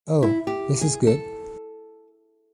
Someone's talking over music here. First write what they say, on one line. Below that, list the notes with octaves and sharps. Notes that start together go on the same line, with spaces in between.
Oh! This is good.
E4
G4
G#4
A4